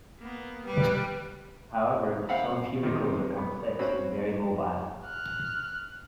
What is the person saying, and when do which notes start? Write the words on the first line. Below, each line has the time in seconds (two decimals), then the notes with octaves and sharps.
However, some funicles are complex and very mobile.
0.19 A#3 B3
0.65 G3 B4
2.29 C4 F5 F#5 B5
2.83 C3 D#3
3.37 B3
3.79 C4 C#4 F#4 B5
5.06 F6 F#6